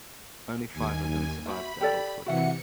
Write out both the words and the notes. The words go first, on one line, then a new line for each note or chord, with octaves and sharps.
Only five of them survived to adulthood.
D#2 G#5
F#4 C5 E5 B5
G4 A4 D5
C3 E3 F#4 E5 F#5 C#7